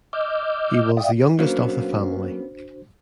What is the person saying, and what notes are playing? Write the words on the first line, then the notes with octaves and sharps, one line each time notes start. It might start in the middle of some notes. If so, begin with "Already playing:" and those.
He was the youngest of the family.
D#5 D6 E6 F6 G6
D5 E5 F5 G5 D#6
F#3 A#3 B3 C#4 D4 F#4 C5 F5